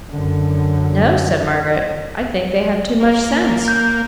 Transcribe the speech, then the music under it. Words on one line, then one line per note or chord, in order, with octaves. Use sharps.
'No!' said Margaret; 'I think they have too much sense.'
F#2 D3
A#3
G6